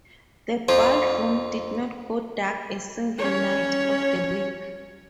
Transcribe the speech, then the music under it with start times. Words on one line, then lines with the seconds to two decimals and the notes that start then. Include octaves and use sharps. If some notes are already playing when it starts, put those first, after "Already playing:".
The ballroom did not go dark a single night of the week.
0.69 F2 F4 C5
3.18 C#4 C#5